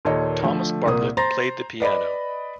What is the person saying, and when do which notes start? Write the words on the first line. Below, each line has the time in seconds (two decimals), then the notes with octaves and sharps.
Thomas Bartlett played the piano.
0.05 D#2 A#2 A4 C#5 D#5
0.42 D3 F3 A3
0.86 C2 A#2 A#3 D#6
1.17 C5 A#5 C6 A6 A#6
1.80 B4 D5 D#5 B5